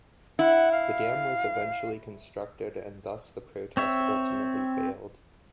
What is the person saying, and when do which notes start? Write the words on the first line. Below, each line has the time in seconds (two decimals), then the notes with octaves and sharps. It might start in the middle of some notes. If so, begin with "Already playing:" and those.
The dam was eventually constructed and thus the protest ultimately failed.
0.39 E4 F#5
0.72 F5
3.77 C4 C#5 E5